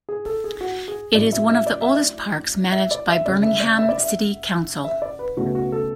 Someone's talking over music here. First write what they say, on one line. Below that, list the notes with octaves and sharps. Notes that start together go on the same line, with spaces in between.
It is one of the oldest parks managed by Birmingham City Council.
G#4
A4
G#4
F#4
G#4
A1 A2 F#3 C#4 D5
E5
E5
D5
E5
D5
E5
D5
E5
F#1 F#2 D3 G#3 C#4 D5
E5
D5
E5
D5
E5
E5
D5
B4
C#2 B2 A3 C#4 F#4
F#4
A4